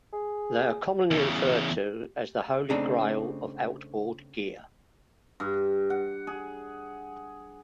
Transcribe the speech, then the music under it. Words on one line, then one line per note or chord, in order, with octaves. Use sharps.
They are commonly referred to as the "holy grail" of outboard gear.
G#4
E2 C#3
C#3 A3 C4 D4 D#4
G2
F#5
G#4